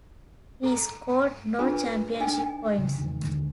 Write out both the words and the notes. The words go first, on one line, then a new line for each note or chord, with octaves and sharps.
He scored no championship points.
A4 A#5
D4 F4 G#4 A#4 B4 D#5
D4 D#4 A4 D#5 G5 G#5
E2 C#3
D#3 G#3
D#2 D3